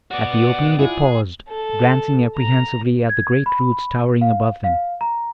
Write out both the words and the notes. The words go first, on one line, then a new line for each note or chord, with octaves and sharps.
At the opening they paused, glancing apprehensively at the great roots towering above them.
B3 F#4 D5 F#5 D6
E4 F4 G#4
A4
A#5
G#6
B5
F5
F5
A#5